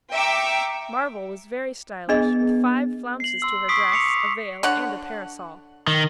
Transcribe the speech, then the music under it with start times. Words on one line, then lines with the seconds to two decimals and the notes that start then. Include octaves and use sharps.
Marvel was very stylish, with five flounces to her dress, a veil, and a parasol.
0.11 E5 G5 A#5 C#6 D6 E6
2.09 B3 D4 G#4 D#5
3.20 C7 F#7
3.42 C6 E6
3.68 C#6 D#6 B6 C7 D7
3.92 D6 C#7 F7
4.63 D3 C#5 F#5
5.87 D#3